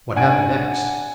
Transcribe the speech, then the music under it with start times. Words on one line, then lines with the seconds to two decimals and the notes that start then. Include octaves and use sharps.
"What happened next?"
0.16 D4 F#5 G#5 G#6 D7